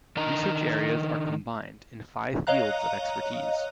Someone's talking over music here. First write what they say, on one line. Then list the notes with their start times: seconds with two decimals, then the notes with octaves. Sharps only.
Research areas are combined in five fields of expertise.
0.16 D#3 D4 D#4 A#4 D#5 A#5
2.47 C#5 D#5 F5 A#5 F#6